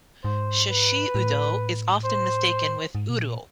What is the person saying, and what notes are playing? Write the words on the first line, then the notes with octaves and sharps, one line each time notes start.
Shishiudo is often mistaken with udo.
G#2 C5
B4
A2
C5
G#2
B2
A#2